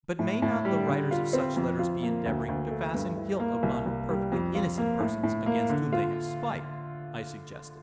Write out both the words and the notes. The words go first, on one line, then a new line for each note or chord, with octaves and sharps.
"But may not the writers of such letters be endeavouring to fasten guilt upon perfectly innocent persons against whom they have spite?" I suggested.
A2
A2
G3
D3
F4
C4
F2
F4
A#3
D2
D2
A3
G2
E4
A#3
C2
C2
G3
F2
F4
A#3
A2
A2
A#3
D3
F4